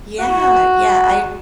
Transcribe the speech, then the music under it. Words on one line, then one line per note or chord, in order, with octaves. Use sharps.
Yeah, yeah, I
F#4